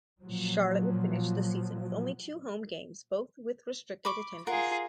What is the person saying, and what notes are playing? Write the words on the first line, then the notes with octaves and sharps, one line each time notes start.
Charlotte would finish the season with only two home games both with restricted attendance.
A#2 F3 F#3
B5 C#6 D6
F4 G#4 A#4 F#5